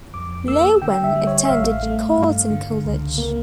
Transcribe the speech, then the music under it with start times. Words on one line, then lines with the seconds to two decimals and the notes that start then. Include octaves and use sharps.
Loewen attended Carleton College.
0.14 F2 D6
0.48 A#3 E6
0.82 D3 G5
1.04 E5
1.16 G3
1.27 C#5
1.45 E5
1.50 A1 F5
1.83 A3
2.17 G2
2.50 D3
2.85 C#2
3.18 A#3